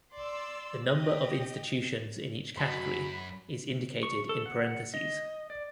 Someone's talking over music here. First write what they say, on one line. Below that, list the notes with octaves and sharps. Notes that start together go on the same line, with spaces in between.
The number of institutions in each category is indicated in parentheses.
D5 C6 E6
G4 D#5
F#2 F#4 D#5 A5 B5 C6
C#6
A4
F#5
D#5
D5